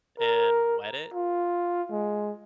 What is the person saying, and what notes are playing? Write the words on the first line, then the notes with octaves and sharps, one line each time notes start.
and wet it,
A#4
F4
G#3